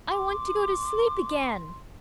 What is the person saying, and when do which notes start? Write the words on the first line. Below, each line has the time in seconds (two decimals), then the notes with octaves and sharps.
"I want to go to sleep again."
0.11 C6 D6